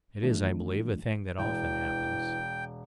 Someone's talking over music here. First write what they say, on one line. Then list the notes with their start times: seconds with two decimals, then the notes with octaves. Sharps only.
It is, I believe, a thing that often happens.
0.22 D#3 E3 F#3 A3 D4 F4
1.39 E1 E3 G5